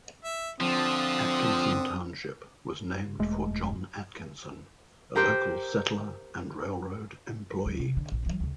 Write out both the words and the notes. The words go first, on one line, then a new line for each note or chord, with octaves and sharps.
Atkinson Township was named for John Atkinson, a local settler and railroad employee.
E5
D3 F3 C4 D#6
E1 G#3 A3
G4 A#4 C5 G5
D#2 F#3
C3
D3
A#1
E3 F#3
D2 C#3